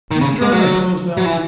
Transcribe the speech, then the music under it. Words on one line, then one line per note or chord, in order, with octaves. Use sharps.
Will you dry my clothes now?
D#3
C#3
G#3
F#3
F#3
E3